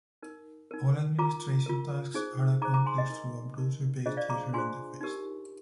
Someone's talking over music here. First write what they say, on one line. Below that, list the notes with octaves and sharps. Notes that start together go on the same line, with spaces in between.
All administration tasks are accomplished through a browser-based user interface.
D#4 A#4
D#4 A#4
F4 A#4 A#5 D6
F4 A#4
D#4 G#4 C5
D#4 G#4 C5 A#5 D6
A#5 D6
G#5 C6
D#5
D#4 A#4
D#4 A#4
D4 F4 G#4 C5 D#5
D5 F5
A#5 D6
D4 F4 G#4 C5 G#5 C6
D#4 G4 A#4